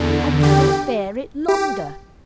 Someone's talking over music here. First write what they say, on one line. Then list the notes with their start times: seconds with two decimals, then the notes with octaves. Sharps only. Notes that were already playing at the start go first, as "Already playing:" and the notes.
I cannot bear it longer!
Already playing: E2 D3
0.43 G4
1.48 G4